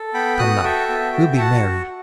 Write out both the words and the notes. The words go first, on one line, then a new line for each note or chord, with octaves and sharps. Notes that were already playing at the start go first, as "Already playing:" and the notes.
Come now, we'll be merry.
Already playing: A4
B3 G5 B5
F#4 D#6 F#6
A4 E5 G5
B3
F#4
F#4 F#5 A5